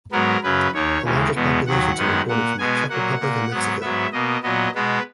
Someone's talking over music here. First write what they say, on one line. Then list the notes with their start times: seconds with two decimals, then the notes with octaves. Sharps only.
The largest populations are reported from the Czech Republic and Mexico.
0.12 G#2 F#3 B3 A#4
0.43 F#2 C#3 F#3 B4
0.73 D#2 D#3 A#3 C#5
1.04 D#2 C#3 E3 G#3
1.35 E2 B2 G#3 B3
1.66 D#2 D#3 F#3 F#5
1.96 F#2 D#3 G#3 B3
2.28 A#2 A#3 F#5
2.58 B2 G#3 B3 G#5
2.89 A#2 F#3 A#3 F#5
3.20 A#2 A#3
3.51 G#2 F#3 B3
3.81 G#2 F#3 B3 E5
4.12 B2 A#3 D#5
4.43 A#2 F#3 B3 D#5
4.75 B2 G#3 B3 B4